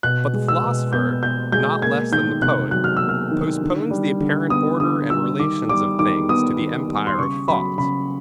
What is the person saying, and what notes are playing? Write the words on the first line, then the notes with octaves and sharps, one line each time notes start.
But the philosopher, not less than the poet, postpones the apparent order and relations of things to the empire of thought.
B2 F#6
G#3
E6
B2
B3 G6
B2 G6
G#3 G6
A#3 G#6
D#3 G6
C3 F#6
F#3 F#6
F6
A#3 E6
F6
D#3
D3
G3
D3
B3 D#6
D3 D#6
G3 E6
D#3 D6
G3 D6
D#3 D6
B3 D#6
D#3
G3
C6
C#3 C#6
F#3 B5
C#3 B5